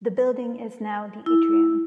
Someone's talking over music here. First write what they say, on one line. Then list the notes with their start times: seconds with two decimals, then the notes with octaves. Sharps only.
The building is now The Atrium.
1.26 E4